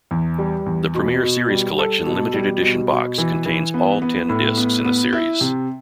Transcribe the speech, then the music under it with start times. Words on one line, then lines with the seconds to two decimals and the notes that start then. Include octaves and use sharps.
The Premier Series Collection Limited Edition Box contains all ten discs in the series.
0.11 E2
0.38 G3
0.66 E2
0.95 B2
1.23 B2
1.50 G3
1.79 A4
2.06 B2
2.33 G3
2.63 B2
2.90 B2
3.18 E3
3.46 E3
3.74 B3
4.02 B3
4.29 A2
4.57 B3
4.85 B3
5.13 E4
5.41 C3